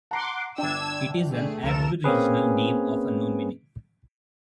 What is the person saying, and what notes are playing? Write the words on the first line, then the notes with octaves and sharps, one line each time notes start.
It is an Aboriginal name of unknown meaning.
F#5 A5 A#5 C6 D6
G1 D4 G5 E6 G#6
A3 G#4
F1 C#2 A4 A#4 E7
A#3 C4 C#4 G#4 B4